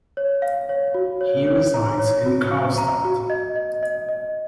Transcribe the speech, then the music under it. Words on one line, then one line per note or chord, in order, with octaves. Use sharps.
He resides in Karlstad.
C#5
F5
C#5
F#4
C#5
C#5
A#5
C#5
F#4
F5
A#5
F#4
D#5
D#5
D#5
D#5